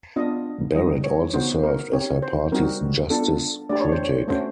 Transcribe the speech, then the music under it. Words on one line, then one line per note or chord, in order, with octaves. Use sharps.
Barrett also served as her party's justice critic.
B3 D4 F4 D#5
G3 C4 D#4 D#5
C#5
B3 D#4 F#4 C5
A#4
C4 D#4 G4 C#5
C5
G3 C4 D#4 F#4 A#4
B3 D4 F4 A4
A3 D4 G4 D5
C#5
C5
C#5
A3 C#4 F#4 C5